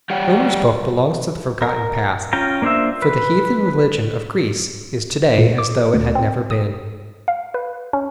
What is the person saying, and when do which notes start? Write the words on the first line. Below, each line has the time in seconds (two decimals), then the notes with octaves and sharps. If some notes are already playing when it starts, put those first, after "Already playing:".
Homer's book belongs to the forgotten past, for the heathen religion of Greece is to-day as though it had never been.
0.10 G3 G4 C#5 D5 F#5 G5
1.62 A#4
2.33 C#4 F4 G5 A#5
2.62 A#3 D4 F4 C5 E5
3.02 B4
5.38 A#2
5.58 D6
5.94 D2
6.15 C4
6.51 D#6
7.28 F5
7.54 B4
7.93 C#4